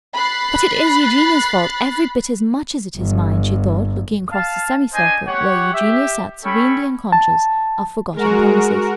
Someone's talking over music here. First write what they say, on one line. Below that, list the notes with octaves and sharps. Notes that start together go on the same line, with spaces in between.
"But it is Eugenia's fault every bit as much as it is mine," she thought, looking across the semicircle, where Eugenia sat serenely unconscious of forgotten promises.
B5 F#6 A6 C7
G1
F5 A5
D4 C5 D#5 G#5
G4 C#5 F#5
G4 E5
C#4 A4 C#5 G5 B5 C#6
A5
G#3 F#4 A#4